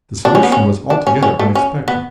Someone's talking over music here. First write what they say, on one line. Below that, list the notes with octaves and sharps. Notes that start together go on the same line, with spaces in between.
The solution was altogether unexpected.
D4
C#4
B3
C#4
D4
C#4
C#4
A3
C#4
B3